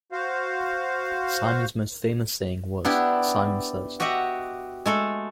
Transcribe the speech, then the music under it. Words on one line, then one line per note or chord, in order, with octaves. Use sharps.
Simon's most famous saying was, Simon says!
F#4 C5 F5
B3 D4 E4 G4
F#4 G4 D#5 E5 F#5
G#3 A3 A4